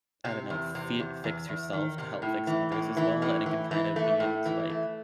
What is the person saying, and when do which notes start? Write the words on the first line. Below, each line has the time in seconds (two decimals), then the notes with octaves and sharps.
I don't know, f fi fix yourself to help fix others as well, and it can kind of be into, like,
0.25 C3
0.50 E2
0.75 C3
1.00 E2
1.24 E2
1.49 E2
1.73 D#3
1.98 C3
2.22 A2
2.47 E3
2.72 A2
2.97 E3
3.22 A2
3.46 E3
3.71 E3
3.96 A3
4.20 A2
4.45 E3
4.70 A3